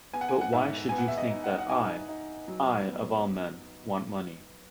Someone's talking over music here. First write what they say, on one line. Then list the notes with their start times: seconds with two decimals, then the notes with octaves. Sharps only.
But why should you think that I — I, of all men — want money?
0.13 B3 G#5
0.21 F#5
0.28 G#5
0.41 F#5
0.53 G#2 E5
0.89 B3 G#5
0.98 F#5
1.08 E5
1.18 D#5
1.30 D#4
1.44 F#5
1.58 F#5
1.70 D#4 G#5
2.09 D#4
2.48 F#3
2.87 B3